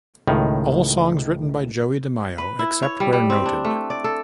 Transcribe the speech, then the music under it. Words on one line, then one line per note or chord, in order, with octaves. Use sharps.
All songs written by Joey DeMaio, except where noted.
C#2 A2 D#3
B4
E4
C#5
G3
G3
C4
D4
A3
D5
A4